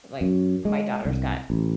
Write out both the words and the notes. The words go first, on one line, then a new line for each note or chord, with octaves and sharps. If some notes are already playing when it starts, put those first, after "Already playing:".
Like, my daughter's got
F#2
G#3
C2
A1